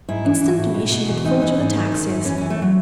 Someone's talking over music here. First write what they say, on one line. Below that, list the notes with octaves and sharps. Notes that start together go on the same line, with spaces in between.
Instantly she had thought of the taxes.
G#2 E4
E3
E3
A2
B2
B2
E2
E3 D#4
E3
G#2
D#3
D#3
F#2
E3 C#4
C#4
E3
A3
F#3